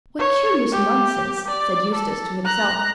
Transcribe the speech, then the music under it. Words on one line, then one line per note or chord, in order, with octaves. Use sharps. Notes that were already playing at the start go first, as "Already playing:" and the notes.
"What curious nonsense!" said Eustace to himself.
C#5
G4
D5
A4
A#5 F#6